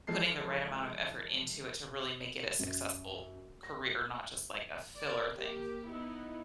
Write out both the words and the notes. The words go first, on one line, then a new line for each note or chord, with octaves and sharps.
putting the right amount of effort into it to really make it a successful career, not just like a filler thing.
E3 F3 G#3 A4 C7
F#2
A#6
A#4 D5
A#3 G4
B3 D#4 E4